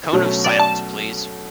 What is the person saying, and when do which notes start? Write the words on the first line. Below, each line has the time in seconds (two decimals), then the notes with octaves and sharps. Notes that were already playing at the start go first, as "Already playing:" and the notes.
Cone of silence, please.
0.13 B2 F#3 A3 C#4 F#4
0.44 D5
0.60 A5